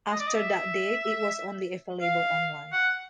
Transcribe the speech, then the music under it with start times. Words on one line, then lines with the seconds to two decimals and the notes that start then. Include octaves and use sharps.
After that date, it was only available online.
0.11 D#5
0.20 D5
0.27 D#5
0.35 E5
2.01 F5
2.72 F#5